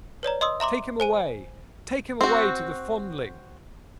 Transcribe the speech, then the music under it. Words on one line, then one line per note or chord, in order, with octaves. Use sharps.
'Take 'em away, take 'em away to the Fondling!'
B4 C#5 D5 A#5
D#5 C6 D#6 E6
E5 A#5 C6 D6
C5 G#5 D#7
C4 F#4